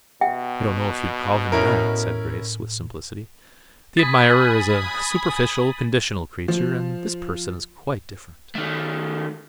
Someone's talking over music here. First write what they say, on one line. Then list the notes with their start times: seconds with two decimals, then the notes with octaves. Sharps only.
"I don't know if you would call him that," said Grace, with simplicity. "The admirer is a superficial, conditional creature, and this person is quite different."
0.21 B2 E5 F#5 G5
1.52 A2 C#4 E4 A#4
3.97 G#5 B5 D#6 A6 B6
6.48 F3
8.55 D#3 A3